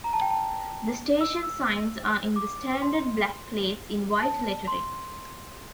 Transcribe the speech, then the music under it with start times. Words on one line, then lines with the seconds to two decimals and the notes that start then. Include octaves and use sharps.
The station signs are in the standard black plates in white lettering.
0.04 A#5
0.13 A5
0.22 G5
0.31 A5
1.21 E6
1.43 E6
2.36 D6
2.82 C6
4.22 A5
4.68 C6